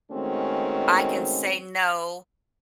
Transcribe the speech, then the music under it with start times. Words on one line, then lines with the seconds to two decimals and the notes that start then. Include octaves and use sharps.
I can say, "No."
0.11 D#3 G#3 A3 C4 C#4 F#4